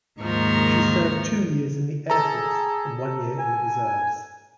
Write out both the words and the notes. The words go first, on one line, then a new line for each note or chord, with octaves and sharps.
She served two years in the Air Force and one year in the reserves.
D#2 G#2 D#3 F3 A#4 C#6
G#4 A4 A#5
G#5